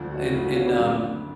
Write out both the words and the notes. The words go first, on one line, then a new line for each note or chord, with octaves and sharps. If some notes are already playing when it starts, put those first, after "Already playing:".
and and, um,
Already playing: D2 D3 F3
F#4
D2 D3 F3 F4
F#4
C#5 F5
B4 D5
G#1 F#2 D3 F3